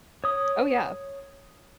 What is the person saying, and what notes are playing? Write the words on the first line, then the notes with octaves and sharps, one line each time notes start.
Oh, yeah,
C#5 D#6